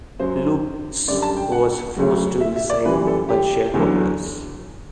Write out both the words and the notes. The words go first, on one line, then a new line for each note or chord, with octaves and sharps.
Loucks was forced to resign by shareholders.
F#2 F#3 C5
F#2 D3 G3 D5
A5
G5
F#5
D2 D3 F#3
E5
E5
D5
F#2 E3 G3 B4
A4
G4
E2 D3 F#3